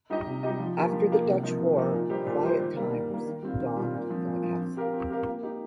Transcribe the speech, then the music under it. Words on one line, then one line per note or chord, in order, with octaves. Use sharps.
After the Dutch War quiet times dawned for the castle.
G3 D#4 G4 D#5
C3
G3 D#4 G4 D#5
F3
A#3 D#4 G4
F3
A#3 D#4 G4
C3
F3 A#3 D#4
C3
F3 A#3 D#4
A#2
G3 D#4 G4 C5
A#2
G3 D#4 G4 C5
D#3
G3 A#3
D#3
G3 A#3
D#3
G3 C4 F4
D#3
G3 C4 F4
A#2
F3 C4
A#2
F3 C4
C4
G4 A#4 F5
C4
G4 A#4 F5
A#3
D#4 G4